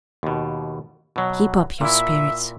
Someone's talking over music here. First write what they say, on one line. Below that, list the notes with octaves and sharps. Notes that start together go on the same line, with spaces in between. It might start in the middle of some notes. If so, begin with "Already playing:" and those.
Keep up your spirits.
D#2 B2
B2 F#3
A#2 E4 E5